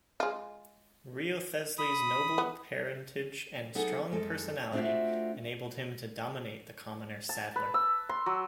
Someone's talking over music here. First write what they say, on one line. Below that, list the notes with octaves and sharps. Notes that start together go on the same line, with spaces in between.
Wriothesley's noble parentage and strong personality enabled him to dominate the commoner Sadler.
G#3 F4
B5 D#6
B3
F#3 B3 D#4 G#4 A4 F#5
F#2 G#3 A4
A3 C4 D4 F4 F#4 E5
A5
B4
E6
C6
F#3